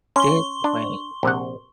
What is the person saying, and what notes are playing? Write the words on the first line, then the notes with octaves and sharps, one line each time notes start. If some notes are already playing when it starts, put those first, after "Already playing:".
this way
C#4 C6 C#6 G7
D4
A#1 C3 F#5